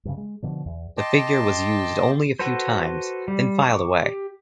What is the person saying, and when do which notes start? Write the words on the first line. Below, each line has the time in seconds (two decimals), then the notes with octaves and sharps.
The figure was used only a few times, then filed away.
0.05 G2 C#3
0.17 G#3
0.42 B2 D3 F3
0.66 E2
0.98 D#5 G5 A5 C6 D6
2.39 F#4 A4 B4 C5
3.28 G3
3.63 C#6 D6
4.04 G4